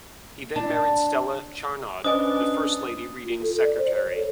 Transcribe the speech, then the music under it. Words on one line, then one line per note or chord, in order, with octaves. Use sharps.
He then married Stella Charnaud, the first Lady Reading's secretary.
D4
C#4 D4 B4 C5 D5 D#5 G#5 D#6
F4
A4
D5
C5
C#5
A4